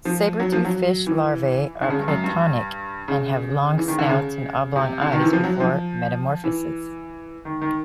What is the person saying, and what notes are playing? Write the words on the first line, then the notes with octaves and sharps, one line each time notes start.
Sabertooth fish larvae are planktonic and have long snouts and oblong eyes before metamorphosis.
F3
F#3
F3
F#3
E3
D3
C#3
G2
F#2
G2
C#3
E3
D#3
D3
C#3
C3
D3
D#3
E3
F3
F#3
F3
E3
D#3
D#3